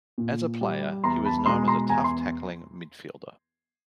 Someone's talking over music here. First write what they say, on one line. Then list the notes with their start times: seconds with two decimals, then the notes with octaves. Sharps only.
As a player, he was known as a tough-tackling midfielder.
0.18 A#2
0.61 G3
1.04 E2 A#5 C6
1.25 A5 B5
1.38 B5
1.46 B2 G#3 A#5 C6
1.68 A#5 C6
1.89 E2 G#5 A#5
2.04 C6